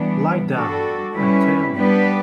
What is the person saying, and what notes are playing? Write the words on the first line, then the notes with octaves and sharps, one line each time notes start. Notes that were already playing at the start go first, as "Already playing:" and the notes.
Lie down, and tell me.
Already playing: E3 G3 B3 D4
G3 D4 F#4 A4
G3 C#4 E4 B4
G3 B3 D4 G4 B4